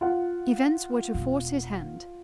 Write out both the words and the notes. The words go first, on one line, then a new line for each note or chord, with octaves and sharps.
Events were to force his hand.
F4 F#5
E1